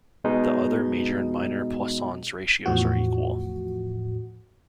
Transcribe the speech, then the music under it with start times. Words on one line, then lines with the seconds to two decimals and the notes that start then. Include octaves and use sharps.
The other major and minor Poisson's ratios are equal.
0.24 B2 G#3 D#4
2.66 E2 A2 F3 F#4